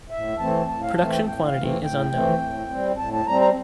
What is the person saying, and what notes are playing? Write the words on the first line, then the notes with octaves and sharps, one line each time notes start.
Production quantity is unknown.
A2 E5
E3 A3 C4 A5
A2 A5
F5
E3 A3 C4 A5
G5
A2 G5
F5
E3 A3 C4
A2 G5
E3 A3 C4
A2
G3 C4
A2 A5
A5
G3 C4 A#5
A#5